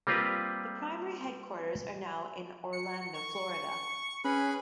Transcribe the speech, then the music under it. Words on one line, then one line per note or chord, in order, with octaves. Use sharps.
The primary headquarters are now in Orlando, Florida.
G3 A#3 C4 F4 G4 B4
C#7
C#6
C#4 G#4 B4 B5